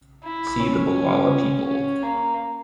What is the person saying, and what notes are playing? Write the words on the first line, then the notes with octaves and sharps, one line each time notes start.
See the Bulala people.
E4
C#4
C#4
A#3